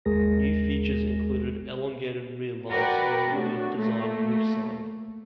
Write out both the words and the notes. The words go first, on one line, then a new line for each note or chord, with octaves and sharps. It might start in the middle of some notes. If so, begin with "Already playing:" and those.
New features included elongated rear lights and a newly designed roof sign.
G1 D#2 G#3 G#4 A#4 A#6
F#4 A#4 B4 D5 F#5 G5
A2 D4 F#4
A3 A#3